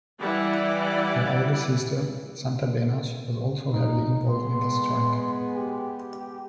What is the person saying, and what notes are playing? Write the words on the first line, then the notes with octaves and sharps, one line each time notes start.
Her older sister, Santa Benash, was also heavily involved in the strike.
E3 G3 E4 D5 F#5
D#4
G#3 B3 C6
G4